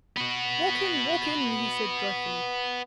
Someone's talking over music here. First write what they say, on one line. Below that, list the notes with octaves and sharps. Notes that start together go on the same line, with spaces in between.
"Walk in, walk in," he said joyfully.
B3 F#4